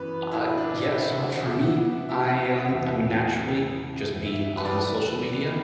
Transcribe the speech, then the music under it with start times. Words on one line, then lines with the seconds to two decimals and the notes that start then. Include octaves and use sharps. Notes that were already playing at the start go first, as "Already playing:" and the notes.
Uh, yeah, so for me, I, um I mean, naturally, just being on social media,
Already playing: F#2 E3 B3 B4
0.31 E4
0.58 D4
0.84 E5
1.10 F#5
1.37 E5
1.63 F#5
2.09 E5
2.28 F#5
2.49 E5
2.58 F#5
2.68 E2 B2 B3 E5
4.26 E5
4.57 B4
4.65 D5